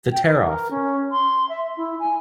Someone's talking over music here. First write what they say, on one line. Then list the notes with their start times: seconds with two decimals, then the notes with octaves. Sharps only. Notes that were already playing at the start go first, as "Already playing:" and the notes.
The Tear Off!
0.12 G5
0.25 B4
0.45 A#4
0.71 C#4
1.12 C6
1.49 E5
1.77 E4
2.00 G#5